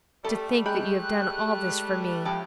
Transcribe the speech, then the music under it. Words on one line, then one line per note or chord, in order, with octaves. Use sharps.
"To think that you have done all this for me."
G3 A3 A4
G#3 G5 B5 F#6
A2 F3 G4